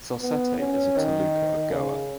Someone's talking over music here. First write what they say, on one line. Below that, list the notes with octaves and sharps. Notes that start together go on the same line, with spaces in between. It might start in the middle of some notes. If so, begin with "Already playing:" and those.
Salcete is a taluka of Goa.
B3
C#4
D#3
C#3